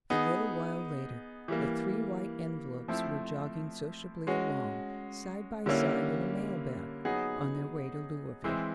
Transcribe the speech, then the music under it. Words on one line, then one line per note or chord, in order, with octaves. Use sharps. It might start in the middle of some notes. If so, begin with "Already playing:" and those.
A little while later the three white envelopes were jogging sociably along, side by side in a mail-bag, on their way to Louisville.
B3 D#4 G#4
E3 G3 A#3
F3 A3 C4 E4
G#3 C#4 F#4
D3 G3 A#3 C#4 E4
F#3 B3 D#4 G#4
E3 G#3 C4 E4